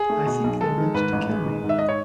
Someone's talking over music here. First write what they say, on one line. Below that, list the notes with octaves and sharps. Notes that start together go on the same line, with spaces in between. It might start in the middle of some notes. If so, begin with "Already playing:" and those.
I think they meant to kill me.
Already playing: G#4
A3
B2
B1
G#3 A4
D#3
G#2 B4
A1
G#3
D#3
G#2
E5
D#5
C#5